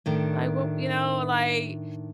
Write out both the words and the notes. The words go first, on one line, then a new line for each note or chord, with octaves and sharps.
like, what" you know? Like,
A2 D#3 D4